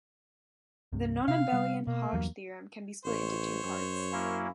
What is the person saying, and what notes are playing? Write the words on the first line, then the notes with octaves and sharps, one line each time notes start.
The nonabelian Hodge theorem can be split into two parts.
C2 G2 C3
C3 F5
C3 G3 B3
B2 A#3
E2 G2 F#3
A1 C5 C#5
F#2
A#3 C#4 E4